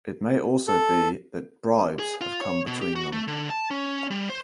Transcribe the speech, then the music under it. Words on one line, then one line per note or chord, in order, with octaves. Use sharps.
It may also be that bribes have come between them.
A4
G#4
F4
C#5
B2
G4
F#4
A3
D3
A5
C#4
G3
C5